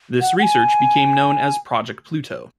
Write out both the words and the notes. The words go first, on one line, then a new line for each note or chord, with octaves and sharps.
This research became known as "Project Pluto".
F#5
F#5
G#5